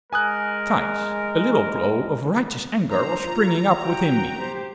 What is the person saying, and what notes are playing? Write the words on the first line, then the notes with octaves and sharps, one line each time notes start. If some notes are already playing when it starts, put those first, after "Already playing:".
Besides, a little glow of righteous anger was springing up within me.
G#3 A#4 G#5 D#6 F#6
D4 C5 A#5
F4
F#4 G5
G4 C5